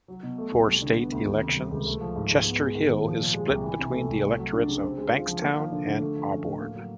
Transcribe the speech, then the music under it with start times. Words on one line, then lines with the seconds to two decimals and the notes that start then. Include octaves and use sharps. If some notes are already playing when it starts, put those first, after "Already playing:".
For state elections, Chester Hill is split between the electorates of Bankstown and Auburn.
0.08 F#3
0.23 B2
0.38 A3
0.53 C2
0.68 G3
0.82 D3
0.97 B3
1.12 D2
1.26 D#3
1.41 C3
1.56 G3
1.71 C#2
1.86 A3
2.01 F3
2.16 G#2
2.31 G#2
2.45 B3
2.60 G#3
2.75 D#3
2.90 D#3
3.05 F3
3.20 A#2
3.34 G#3
3.49 C2
3.64 E3
3.79 C3
3.93 A3
4.09 C2
4.24 A3
4.38 F#3
4.53 D4
4.68 C#3
4.83 C4
4.98 G#3
5.13 F4
5.27 F3
5.42 A#3
5.57 F3
5.72 D3
5.87 D3
6.02 A3
6.16 F3
6.31 C#4
6.46 A2
6.61 A#3
6.75 F#3